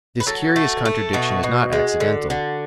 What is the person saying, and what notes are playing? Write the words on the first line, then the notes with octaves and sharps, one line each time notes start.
This curious contradiction is not accidental.
B4
F#3 A4
A3
A3
B2 F#4
B2
G#3
D3
D3